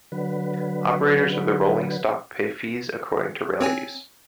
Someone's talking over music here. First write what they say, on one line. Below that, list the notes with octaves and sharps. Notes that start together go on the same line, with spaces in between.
Operators of the rolling stock pay fees according to rail use.
D3 F#3 B4
C4 C#5 G#5